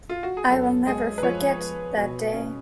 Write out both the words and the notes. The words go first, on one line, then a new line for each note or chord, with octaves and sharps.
I will never forget that day.
F4
F#4
G#4
F#2 A4
G#3 G#4
B4
F3 C#5
B3
B2
C#4